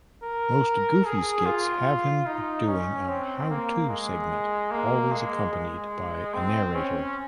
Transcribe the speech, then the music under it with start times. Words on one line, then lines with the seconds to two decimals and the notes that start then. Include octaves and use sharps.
Most Goofy skits have him doing a "how-to" segment, always accompanied by a narrator.
0.23 A#4
1.05 G#4
1.46 F4
2.27 D#4
2.68 C#4
3.09 C4
3.50 A#3
3.90 G#3
4.71 A#3
5.12 G#3
5.53 G#3
6.34 C4
6.75 C#4